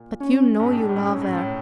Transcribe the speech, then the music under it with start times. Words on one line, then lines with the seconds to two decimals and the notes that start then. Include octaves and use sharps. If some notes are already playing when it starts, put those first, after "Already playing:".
"But you know you love her."
Already playing: A#2
0.20 C#4
0.60 G#2 C#4
0.71 A2 D4
0.89 A2
0.96 G#2 C#4
1.22 A2
1.37 A2